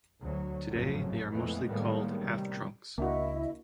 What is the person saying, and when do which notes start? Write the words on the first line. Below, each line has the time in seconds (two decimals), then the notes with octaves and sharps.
Today, they are mostly called "half-trunks".
0.21 D2 F#3
0.69 G#1 F2 A2 C#3 F3 F#3
1.31 F2 A#2 E3 G#3 A3 B3
1.67 A2 D#3 G3 G#3 A#3 B3
2.21 A1 C3 D#3 G3
2.98 C#2 A#3 D4 E4 F#4 D#5 E5